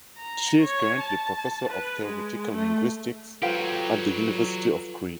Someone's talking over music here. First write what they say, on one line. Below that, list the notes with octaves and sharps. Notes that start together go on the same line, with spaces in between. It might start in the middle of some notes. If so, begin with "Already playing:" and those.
She is currently Professor of Theoretical Linguistics at the University of Crete.
A#5
C#5
A5
B4
G#3
A3
F#3 F4 G4 A4 B4 C5 F5 G5